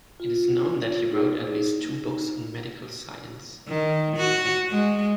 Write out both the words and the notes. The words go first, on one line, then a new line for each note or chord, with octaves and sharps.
It is known that he wrote at least two books on medical science.
F4
D#4 G#4
D#3
F#4
G#3